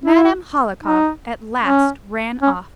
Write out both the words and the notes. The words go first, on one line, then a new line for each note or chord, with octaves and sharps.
Madame Hohlakov at last ran off.
E4
D#4
C#4
C#4